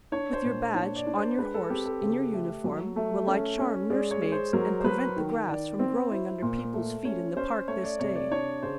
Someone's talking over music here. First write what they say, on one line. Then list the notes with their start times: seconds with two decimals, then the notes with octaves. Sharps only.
With your badge, on your horse, in your uniform, will I charm nurse-maids and prevent the grass from growing under people's feet in the Park this day.
0.12 D4 C#5
0.33 C5
0.44 A#2
0.75 D4 C#5
0.96 D5
1.06 D4
1.17 C5
1.38 G#3 B4
1.54 A4
1.70 C4 G4
1.85 A4
2.01 C#3
2.33 A3
2.64 F#3
2.96 A3
3.27 C#4 A4
3.59 C#4
3.90 G#3 D5
4.11 C#5
4.22 G#3
4.32 C5
4.53 F#3 A#4
4.80 C5
4.84 F#3 B4
5.16 D#3
5.48 D#3 D5
5.79 C4 C5
6.11 E4 C5
6.42 A#2
6.73 A3
7.05 C#4 C#5
7.36 C#4 C5
7.68 A3 C#5
7.84 D5
8.00 C3 C#5
8.16 D5
8.31 D4 C#5
8.63 C#3 C5